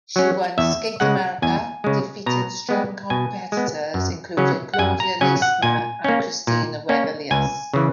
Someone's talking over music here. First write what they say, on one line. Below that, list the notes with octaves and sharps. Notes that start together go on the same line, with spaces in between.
She won Skate America, defeating strong competitors including Claudia Leistner and Kristina Wegelius.
F#3 C#4
E2 E5
C#3 G#3 F#5
E2 G#5
C#3 G#3
B2 A#5
G#3 B3
B2 G#5
G#3
B3
F#2
C#3 F#3 C#4
F#5
F#2 G#5
A#5
C#3 F#3 C#4 G#5
F#5
A#2 G#5
A#3 C#4
A#2
A#3 C#4
C#2 G#5
C#3 E3